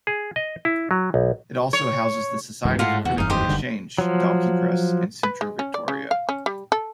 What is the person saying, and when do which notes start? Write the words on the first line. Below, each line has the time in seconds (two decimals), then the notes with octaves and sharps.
It also houses the Society for Critical Exchange, Dalkey Press and Centro Victoria.
0.07 G#4
0.36 D#5
0.65 E4
0.91 F#3
1.14 B1
1.73 C#5
2.65 F1 C#2 G#2 E3
2.79 A2 F4 F#5 C6
3.05 E2 F#4
3.18 F1 G2 E3 D#4 F5
3.30 D#2 G#2 G4 C5 D#5
3.47 F#1 D3 G3
3.98 F3 F#3
5.23 B4
5.41 G#3
5.59 C#4
5.74 D5
5.88 C#3
6.11 F5
6.29 C#4
6.46 G3
6.72 A4